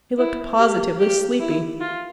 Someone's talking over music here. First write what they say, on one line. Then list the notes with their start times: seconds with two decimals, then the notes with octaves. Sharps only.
He looked positively sleepy.
0.18 E4
0.58 G4
0.99 G4
1.40 E4
1.80 F4